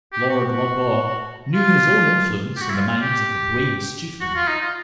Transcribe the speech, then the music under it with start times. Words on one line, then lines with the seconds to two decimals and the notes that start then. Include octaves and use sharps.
Lord Loch-awe knew his own influence in the minds of the bravest chieftains.
0.13 G4
0.30 F#4
0.49 F#4
1.54 F4
2.57 G4
2.61 F#4
2.70 E4
2.75 F4
2.88 F4
3.01 G4
4.21 F#4
4.35 F4
4.48 D#4
4.62 F4